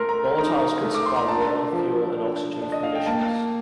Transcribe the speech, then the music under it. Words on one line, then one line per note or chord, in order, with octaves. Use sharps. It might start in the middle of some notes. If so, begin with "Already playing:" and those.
Volatiles could supply water, fuel and oxygen for missions.
Already playing: A3 A#4 C6
A#5
D#4 A#5
A3
D6
C6
A#5
D4 A5
F3
D4
D4
D#5
F5
G5
A#3 A5